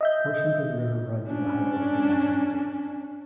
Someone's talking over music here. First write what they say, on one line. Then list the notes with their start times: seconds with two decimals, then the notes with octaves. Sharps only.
Portions of the river run through the Hiawatha National Forest.
0.01 D#5 E5 G6
1.28 C#4 D4